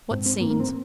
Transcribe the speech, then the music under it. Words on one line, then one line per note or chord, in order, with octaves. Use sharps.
What scenes!
G#2 C4
C4
G#2 A#3
A#3
C4